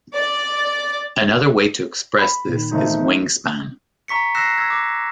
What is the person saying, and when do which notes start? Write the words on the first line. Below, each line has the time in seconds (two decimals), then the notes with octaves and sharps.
Another way to express this is wing span.
0.13 D5
2.19 B5
2.49 A#2 D#3
2.71 G#1 A3 D#4
4.08 A#5 C#6 B6 C#7
4.35 E6 F#6 A#6 C7 E7
4.57 E6 G#6
4.70 D6